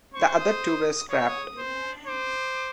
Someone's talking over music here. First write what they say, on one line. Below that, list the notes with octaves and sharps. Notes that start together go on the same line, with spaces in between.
The other two were scrapped.
C5 C#6
D#6
C#5 D#6
E6
D#6
C5
C5 D6